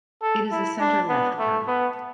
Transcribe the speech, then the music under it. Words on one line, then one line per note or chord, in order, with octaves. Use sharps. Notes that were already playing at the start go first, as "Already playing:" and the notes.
It is a centre-left party.
A4
E4
D4
B3
A3
B3